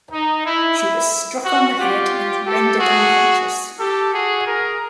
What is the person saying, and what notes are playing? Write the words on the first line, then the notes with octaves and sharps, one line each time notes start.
She was struck on the head and rendered unconscious.
D#4
E4
E4
F#4
F4 G4
G4 A4
F#4 G#4
G4 A4
F#4 G#4
G#4 A#4